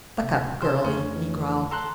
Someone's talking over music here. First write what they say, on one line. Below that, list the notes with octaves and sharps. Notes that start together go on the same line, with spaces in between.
"Buck up, girlie!" he growled.
D1 C3
C3 G#4 C5 A5
F2 A3 C#4 D4
E3
A4 A#5 C6 F#6